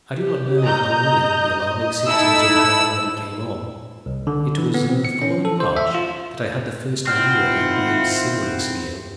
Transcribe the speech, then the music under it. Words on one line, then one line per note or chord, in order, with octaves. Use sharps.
'I do not know how early the alarming symptoms of her malady came on. It was in the following March that I had the first idea of her being seriously ill.
G4
D#5 A#5 G6
D#4 E4 A4 E6
C2
D3
E3
B3
C4
C#7
C#4
A4
C5
E5
F4
D#3 C4 E4 F4 F#5 F6